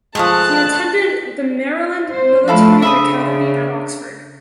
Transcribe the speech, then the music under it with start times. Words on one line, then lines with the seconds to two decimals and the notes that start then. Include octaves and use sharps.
He attended the Maryland Military Academy at Oxford.
0.15 F3 G#3 A3 F5 A5 D#6 F#6
2.11 C5
2.48 F3 A3 E4 A4 F5
2.82 C#3 D4 E5 B5 D#6